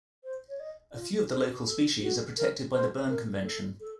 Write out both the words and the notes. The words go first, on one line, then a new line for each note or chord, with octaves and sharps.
A few of the local species are protected by the Bern Convention.
C5
C#5
D#5
F4
C5
A4
F#4
A#4
C5
A#4
A4
A4